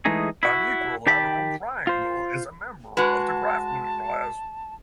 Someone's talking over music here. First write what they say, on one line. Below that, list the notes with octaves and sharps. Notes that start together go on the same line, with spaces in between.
An Equilateral Triangle is a member of the craftsman class.
E3 G#3 A3 D#4 G#4
E4 F#4
D#3 G4 G5 A5 B5
F4 C5
G#3 F#4 B4 A5